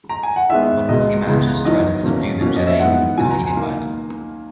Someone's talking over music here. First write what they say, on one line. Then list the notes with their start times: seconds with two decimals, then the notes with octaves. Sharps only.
When Lysimachus tried to subdue the Getae he was defeated by them.
0.09 A#5
0.23 G#5
0.36 F#5
0.49 D#2 D#3 G#3 B3 E5
0.88 C#2 B2 G#3 D#5
1.26 C#2 C#3 E3 G#3 B3
1.65 E2 D#3 F#3 D#5
2.03 E2 B2 A#3 C#4
2.41 B2 F#3 A#3 C#4
2.56 D#5
2.67 E5
2.79 G#2 E3 B3 F#5
3.17 C#2 B2 F#3 G#5
3.31 A#5
3.43 G#5
3.57 D#3 A#3